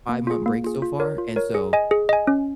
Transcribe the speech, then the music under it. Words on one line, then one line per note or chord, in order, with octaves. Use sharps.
five-month break so far, and so
A#3
F4 G#4
A#3
F4 G#4
F4
A#4 C#5
F4
A#4 C#5
G#4
D#5 G#5
G#4
D#5 G#5
C#4